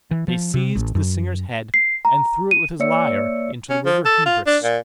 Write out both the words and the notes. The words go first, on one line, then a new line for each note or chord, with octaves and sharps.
They seized the singer's head and threw it with his lyre into the river Hebrus.
E3
F3
C3
A1
F#2
C7
A#5
D#7
A#3 C#5 D5 E5 E6 C#7
C#4
F3
A4
F4
D4
A#2